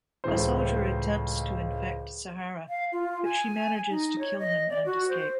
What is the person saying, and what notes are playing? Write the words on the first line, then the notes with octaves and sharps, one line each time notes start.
A soldier attempts to infect Sahara, but she manages to kill him and escape.
C#2 A2 E3 C5
F5
F4
G#5
D#4
C#5
D#5
D5
F#4
C5